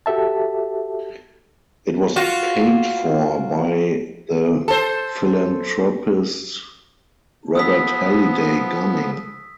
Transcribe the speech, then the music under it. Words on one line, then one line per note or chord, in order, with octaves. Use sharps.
It was paid for by the philanthropist Robert Halliday Gunning.
F#4 G4 A4 E5 A5
F4 F#4
A4 C5
F3 B3 D#6 E6 B6